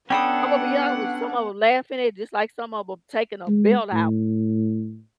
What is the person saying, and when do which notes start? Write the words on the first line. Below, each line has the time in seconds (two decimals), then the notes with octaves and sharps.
Imma be honest with some of 'em laughing at it just like some of 'em taking a belt out.
0.10 B3 C#4 D4 A4 F#5 G5 B5 D#6
3.47 G#3
3.93 A2